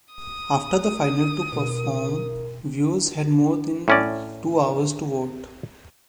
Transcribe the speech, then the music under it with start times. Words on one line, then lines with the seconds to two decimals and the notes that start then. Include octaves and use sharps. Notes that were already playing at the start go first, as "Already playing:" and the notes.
After the final two perform, viewers had more than two hours to vote.
0.14 D#6
1.52 B2 A#4
3.88 A2 C#4 D5